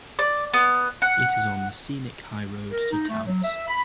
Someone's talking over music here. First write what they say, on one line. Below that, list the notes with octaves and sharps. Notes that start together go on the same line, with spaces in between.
It is on the scenic High Road to Taos.
D5
B3
F#5
A#4
D#4
A3
F#3
E5
B5